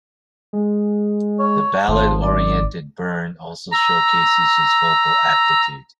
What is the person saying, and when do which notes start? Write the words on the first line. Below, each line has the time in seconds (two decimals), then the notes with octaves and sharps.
The ballad-oriented "Burn" also showcases his vocal aptitude.
0.53 G#3
1.39 C#5
1.88 G#1 F3
2.22 D5
3.72 A#5 E6